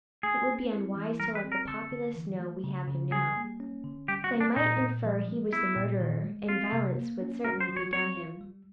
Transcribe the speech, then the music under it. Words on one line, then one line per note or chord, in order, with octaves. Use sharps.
It would be unwise to let the populace know we have him now; they might infer he was the murderer and violence would certainly be done him.
A3 G#4
C4
E4
E3
G3 A#4
B4
C4
A#4
D3 A4
D3
E3
A3
C#3
C#3
G3 G#4
A#3
C#4
D3
G3 G4
F#4
C4
D4
A#2 D#4
A#2
F3
G#3
B3 E4
A#2
D#3
G#3
C4 F4
C3
A#3
C#4
F#4 A#4
C5
F#3
C#5
C4 C#5
F4
G3